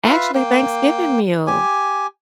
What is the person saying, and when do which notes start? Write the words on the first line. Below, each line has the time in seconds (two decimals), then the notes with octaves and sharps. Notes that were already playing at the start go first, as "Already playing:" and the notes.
Actually, Thanksgiving meals,
0.05 F4 B4 E5 F5
0.35 A#3 G5
1.47 G4 G#5